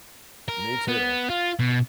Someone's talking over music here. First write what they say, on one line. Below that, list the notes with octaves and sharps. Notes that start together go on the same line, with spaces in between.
me too.
A#4
B3
F4
B2